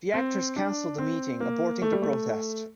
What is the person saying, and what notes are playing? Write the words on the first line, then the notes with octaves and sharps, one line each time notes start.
The actors cancelled the meeting, aborting the protest.
C4
D4
C4
A#3
A3
G3
A3